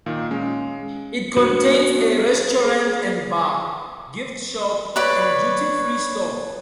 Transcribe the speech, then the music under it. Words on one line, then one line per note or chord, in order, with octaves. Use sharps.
It contains a restaurant and bar, gift shop, and duty-free store.
A#2 D#3 F5
G#3 C#4
B3 D4 F#4 C5
G#4
B4 C#5 D5 B5